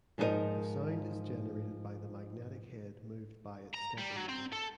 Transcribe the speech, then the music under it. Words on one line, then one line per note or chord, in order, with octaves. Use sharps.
The sound is generated by the magnetic head moved by its stepper motor.
G#2 F3 D#4 E4 A#4 D#5
A#5
G3
F#3
C4
A4